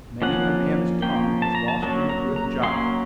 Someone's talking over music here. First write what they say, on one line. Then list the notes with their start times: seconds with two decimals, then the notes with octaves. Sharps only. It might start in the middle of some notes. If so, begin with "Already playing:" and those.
"Many a man's tongue has lost him a good job."
0.22 F3 A#3 C#4 F#5
1.02 F3 A#3 C#4 G5
1.42 A5
1.55 A#5
1.68 A5
1.82 F#3 A#3 C#4 A5
2.09 A#5
2.36 A#5
2.63 F#3 A#3 C#4 C6